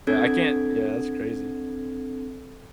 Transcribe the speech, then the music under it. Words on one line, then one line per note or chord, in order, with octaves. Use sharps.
Yeah I can't yeah, that's crazy.
C4 D4 A4 G#6